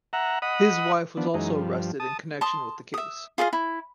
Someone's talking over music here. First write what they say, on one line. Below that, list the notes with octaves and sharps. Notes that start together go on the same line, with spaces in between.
His wife was also arrested in connection with the case.
E5 F#5 A#5
D#5 F#5 B5 D#6
F3 B3 D4
F#2 E3 G#3 D#4
G2 F3
A5 D#6
A5 C6 D#6
E5 D#6
F4 G#4 D#5 F5
E4